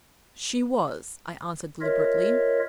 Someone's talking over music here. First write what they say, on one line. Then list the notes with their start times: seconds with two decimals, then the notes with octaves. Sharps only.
'She was,' I answered, deliberately.
1.81 F4 A#4 C#5 D#5 E5